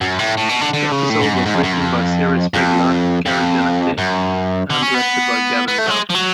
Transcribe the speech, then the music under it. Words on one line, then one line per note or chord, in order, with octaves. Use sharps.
The episode was written by series regular Gary Janetti, and directed by Gavin Dell.
F#2
A2
A2
B2
D3
D3
C#3
A2
G#2
F#2
G#2
F2
F#2
F2
F2
F2
F#2
D3
C#4
B3
B3
A3
F#3
G#3
F3
F#3